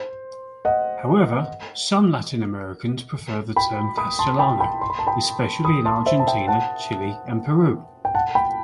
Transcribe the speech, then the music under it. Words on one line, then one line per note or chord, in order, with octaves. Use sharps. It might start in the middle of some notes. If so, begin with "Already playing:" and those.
However, some Latin Americans prefer the term "castellano", especially in Argentina, Chile, and Peru.
Already playing: C5
D#5 F#5
G5 B5
B5 D#6
A5 C6
G5 B5
G5 B5
C6
B5
A5
G5 B5
B5 D#6
A5 C6
C5 E5
A5
E5 G5
F#5 A5
G5
F#5 A5
G5 B5